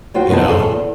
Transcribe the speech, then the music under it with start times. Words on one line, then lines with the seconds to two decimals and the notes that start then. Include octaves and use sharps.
you know?
0.14 F#3 F4 F#4 C5 G5
0.30 C3 B3 D#4 G#4 A5
0.49 F#2 F4 G#4 A4
0.72 E2